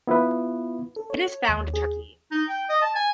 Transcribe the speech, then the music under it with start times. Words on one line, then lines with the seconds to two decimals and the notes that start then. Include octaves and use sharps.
It is found in Turkey.
0.07 B3 E4 F4 B4
0.96 A4
1.10 C#5
1.48 D#2
1.74 G#4
2.32 D#4
2.49 G5
2.70 D#5
2.82 A5
2.95 G#5